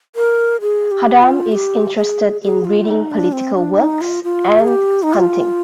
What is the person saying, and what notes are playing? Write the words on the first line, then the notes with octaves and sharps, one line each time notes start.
Khaddam is interested in reading political works and hunting.
A#4
G#4
G4
F4
G4
G#4
G#4
F4
D#4
D4
C4
D4
D#4
F4
F4
G#4
G4
D#4
F4